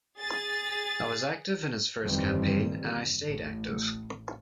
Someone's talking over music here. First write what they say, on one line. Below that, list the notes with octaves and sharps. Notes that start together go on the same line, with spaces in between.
I was active in his first campaign, and I stayed active.
G#4 A6
G1 F2 D#3 E3 G3 C4
A1 A2